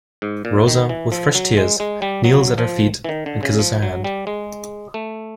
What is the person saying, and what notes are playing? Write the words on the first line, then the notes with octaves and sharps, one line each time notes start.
Rosa, with fresh tears, kneels at her feet and kisses her hand.
G#2
A#2
D#3
E3
F3
F#3
G#3
G#3
G3
F#3
F3
E3
D#3
D3
C#3
F3
F#3
G3
G#3
A3